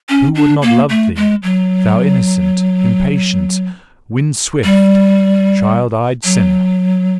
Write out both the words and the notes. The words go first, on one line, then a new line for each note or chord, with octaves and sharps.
Who would not love thee, thou innocent, impatient, wind-swift, child-eyed sinner!
C#4
D4
A#3
A3
G#3
F#3
G3
F#3